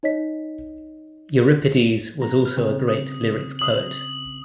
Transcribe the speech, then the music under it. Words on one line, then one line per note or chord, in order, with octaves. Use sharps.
Euripides was also a great lyric poet.
D#4 C#5 D#5 B6
E3 B3 A#5
B4 F6
C#3 C4
D#6
D#6 F#7